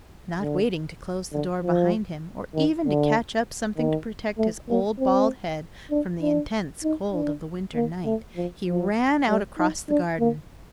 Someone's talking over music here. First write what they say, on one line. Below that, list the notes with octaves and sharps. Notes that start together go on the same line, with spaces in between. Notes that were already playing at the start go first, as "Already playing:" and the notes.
Not waiting to close the door behind him, or even to catch up something to protect his old bald head from the intense cold of the winter night, he ran out across the garden.
D3
D3
F3
D#3
D3
D#3
A3
A#3
C4
D4
D4
D#4
D4
A#3
A3
F3
F3
G3
D#4
D4
A#3